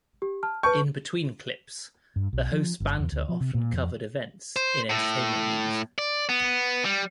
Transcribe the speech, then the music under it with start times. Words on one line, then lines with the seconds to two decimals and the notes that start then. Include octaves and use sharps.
In between clips, the hosts' banter often covered events in entertainment news.
0.22 G4
0.43 A5 F6
0.63 B4 A5 C#6 G6
2.16 G2
2.33 B1
2.52 F3
2.80 G1
2.99 E2
3.12 D2
3.29 F3
3.41 C3
3.54 A#2
3.73 F2
4.56 C5
4.90 A2
5.98 D5
6.29 B3
6.85 G3